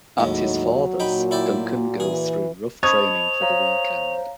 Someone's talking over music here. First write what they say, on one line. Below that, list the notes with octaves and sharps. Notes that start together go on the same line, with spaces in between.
At his father's, Duncan goes through rough training for the weekend.
D#2 A2 F#3 G#3 D#4
A#2 D#4 F#4 G5 B5
E4 D5 G5
E3 G#4
C5 D#5 A5 B5 C#6 D#6 G#6 F7
C#5 F5 A#5